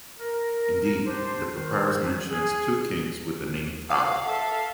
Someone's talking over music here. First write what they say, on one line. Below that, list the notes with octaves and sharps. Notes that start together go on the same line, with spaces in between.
Indeed, the papyrus mentions two kings with the name Tao.
A#4
D4 G4 C5
D#3 C5
G#4
F5 F#5
A4 E5